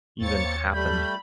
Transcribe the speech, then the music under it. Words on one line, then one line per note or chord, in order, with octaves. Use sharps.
even happened.
D#2 A#3 C4 C#5 A6 C#7
G3 A3 B5 G6